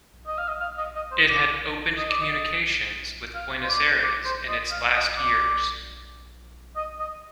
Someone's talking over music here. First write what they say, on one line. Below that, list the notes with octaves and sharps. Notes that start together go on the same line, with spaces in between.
It had opened communications with Buenos Aires in its last years.
D#5
F5
D#5
F5
D#5
D#5
C5
D5
D#5
D5
D#5
F5
C5
D5
D5
C5
D#5
F5
D#5
D5
D#5
D#5